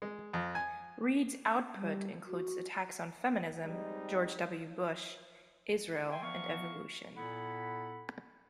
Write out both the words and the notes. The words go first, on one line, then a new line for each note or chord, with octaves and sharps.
Reed's output includes attacks on feminism, George W. Bush, Israel and evolution.
G#3
F2
G#5
G3
F#4
G3 G#3 C4 D#4
E5 G5 G#5 C6
F3 B3 E5 F5 A#5 C#6
A#2 B3 E4 A4 F#5 B5